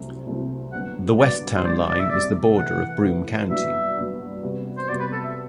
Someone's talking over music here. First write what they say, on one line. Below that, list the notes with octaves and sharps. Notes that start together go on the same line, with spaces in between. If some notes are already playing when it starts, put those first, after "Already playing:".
The west town line is the border of Broome County.
Already playing: C2 C3 F#3 A3 C4
C2 C3 F#3 A3 C4
G2 D3 F#3 B3 F#4 F#5
G2 D3 F#3 B3 F#4 D5
C5
C2 C3 G3 D5
D5
E5
C2 C3 G3 D5
E3 A3 E4 B4 F#5
E3 A3 E4 B4
G2 F#3 B3 D4 F#4 E5
G2 F#3 B3 D4 F#4
C3 G3 B3 F#4
C5
C3 G3 B3 F#4 D5
B4
A4
E5